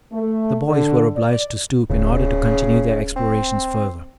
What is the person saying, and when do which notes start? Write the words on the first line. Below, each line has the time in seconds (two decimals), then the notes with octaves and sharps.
The boys were obliged to stoop in order to continue their explorations further.
0.11 A3
0.67 D3
1.17 D5
1.90 D1 C#3
3.16 C4